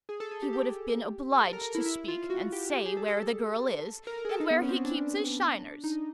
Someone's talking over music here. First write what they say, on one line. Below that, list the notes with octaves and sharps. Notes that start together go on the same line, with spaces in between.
He would have been obliged to speak, and say where the girl is, and where he keeps his shiners!
G#4
A4
G#4
G4
G4
A4
A#4
A#4
E4
E4
E4
F4
F#4
G4
G4
G#4
A4
A4
A#4
A#4
G#4
A4
D#4
B3
C#4
C4
C#4
D4
D#4